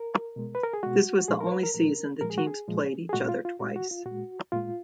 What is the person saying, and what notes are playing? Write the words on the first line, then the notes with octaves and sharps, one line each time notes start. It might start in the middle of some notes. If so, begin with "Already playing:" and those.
This was the only season the teams played each other twice.
Already playing: A#4
B2 G#3
B4
A#4
G#4
B2 G#3 F#4
F#4
A#2 F3 G#3 G#4
A#4
C#5
B4
A#4
A#2 F3 G#3 A#4
A#2 F3 G#3 A#4
G#4
F#4
G#4
A#2 F3 G#3
G#4
A#2 G#3 F#4
F4
F4
A#2 G#3 F#4
F#4
F4
A#2 F#4
G#3
A#2 G#3 F4